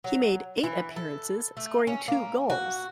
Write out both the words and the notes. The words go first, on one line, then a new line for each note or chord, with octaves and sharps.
He made eight appearances scoring two goals.
F#3
E3
A4
A3
C#4
A#3
F#4